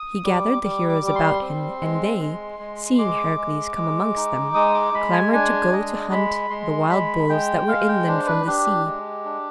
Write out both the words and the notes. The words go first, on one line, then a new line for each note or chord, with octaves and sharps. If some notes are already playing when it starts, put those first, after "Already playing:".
He gathered the heroes about him, and they, seeing Heracles come amongst them, clamored to go to hunt the wild bulls that were inland from the sea.
Already playing: D#6
G3 D6
G3 D6
D6
G3
D6
C6
C4
G#3
G#3
G#3
G#3 D6
G#3
G#3
D#4
G#3 D#6
D6
G#3 B5
G#5
D4 G#5
G#3 D#5
G#3 B5
G#3 C6
G#3 B5
G#3 G5
G#3 F5
G5
D4 C5
B4
D4 G4
G#3
D4